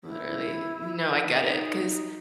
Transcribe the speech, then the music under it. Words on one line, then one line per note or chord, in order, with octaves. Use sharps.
Literally. No, I get it, 'cause
E4
D#4